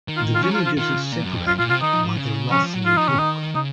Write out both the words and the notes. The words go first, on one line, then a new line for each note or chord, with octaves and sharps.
The villages are separated by the Rothley Brook.
D#3
F4
F4
F3 C#4
F#3 F4
F3
F4
D#3 F4
C#3
A#2
F#2
F2
F#2 F4
A#2 F4
C3 F4
D#3 D#4
F3
F3
C#3
F3 C#4
F3
F#3
F3 F4
F3 D#4
D#3 C#4
D#4
C#3 D#4